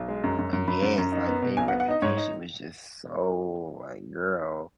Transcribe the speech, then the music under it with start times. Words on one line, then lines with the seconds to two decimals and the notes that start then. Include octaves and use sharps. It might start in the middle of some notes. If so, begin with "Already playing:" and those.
Uh, yes, like, they reputation was just so like, girl,
Already playing: B1
0.08 G#3
0.24 F#2
0.39 F#2
0.53 F#2
0.68 F#2 B5
0.82 F#2
0.98 F#2
1.12 D#4
1.27 B3
1.42 B2
1.57 B1 G#5
1.68 F#5
1.72 B3
1.80 F#5
1.88 D#4 D#5
2.02 G#2 C#5
2.17 D#4